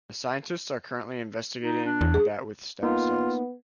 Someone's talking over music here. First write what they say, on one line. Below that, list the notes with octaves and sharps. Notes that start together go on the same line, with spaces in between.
The scientists are currently investigating that with stem cells.
D#4
D4
E2
G#4
A#3 B3 D#4 F4